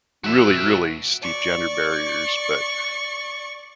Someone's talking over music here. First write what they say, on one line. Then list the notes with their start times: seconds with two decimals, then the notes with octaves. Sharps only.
really, really steep gender barriers, but sh
0.24 F#4 E5
1.22 D5 C#6